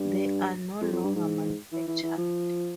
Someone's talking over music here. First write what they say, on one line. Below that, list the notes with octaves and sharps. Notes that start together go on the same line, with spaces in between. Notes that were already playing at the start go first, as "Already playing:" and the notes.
They are no longer manufactured.
Already playing: G2
F2
F2
G2
G#2
E3
E3
E3
F3